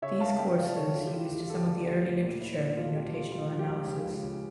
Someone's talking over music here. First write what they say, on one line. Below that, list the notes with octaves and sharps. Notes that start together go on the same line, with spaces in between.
These courses used some of the early literature in notational analysis.
C#3 C#5 E5
A#3 F5 A5
C#3 E5 G5
G5
F3 D5 F5
C#3 A4 C#5
C#3 F4 A4
G4
E4 F4
G4
D2
F4
D2 A4
G4
D3
D2
D2
A#2
E4
A#2
A3 F4
A4
A#2 G4
A3 F4
C#2 F4
F3
G4
C#2
C#3
C#2
C#2